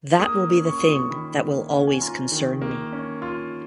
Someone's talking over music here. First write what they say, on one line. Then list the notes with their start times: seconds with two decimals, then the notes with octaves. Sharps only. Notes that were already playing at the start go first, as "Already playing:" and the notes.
That will be the thing that will always concern me.
0.19 A#3 D#6
0.49 C#4
0.65 C#6
0.78 F4 D#6
0.90 C#6
1.10 D#3 B5
1.40 A#3
1.70 C#4 F#5
1.87 G#5
2.01 F4 A#5
2.32 D#3
2.62 A#3
2.92 C#4
3.22 F4